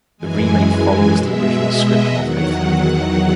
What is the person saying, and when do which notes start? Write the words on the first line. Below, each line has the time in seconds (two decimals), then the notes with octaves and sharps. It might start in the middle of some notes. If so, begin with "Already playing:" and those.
The re-make follows the original script more faithfully.
0.18 F#2 E3 G#3 G#5
1.16 B2 G#3 E5
1.64 D#5
2.14 E2 D#3 F#3 F#5
2.62 F#5